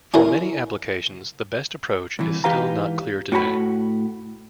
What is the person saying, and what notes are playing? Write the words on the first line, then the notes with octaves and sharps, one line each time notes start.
For many applications, the best approach is still not clear today.
C#4 E4 A#4
C2 E3
G#2 E3 G4 B4 F5 A#5
A2 F#4 C#5 A#5 B5